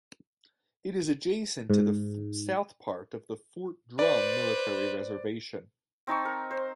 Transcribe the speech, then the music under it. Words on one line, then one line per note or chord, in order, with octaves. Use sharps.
It is adjacent to the south part of the Fort Drum military reservation.
G#2
B4 C5 D5
C4 D#4 A5 C#6
A#4
C5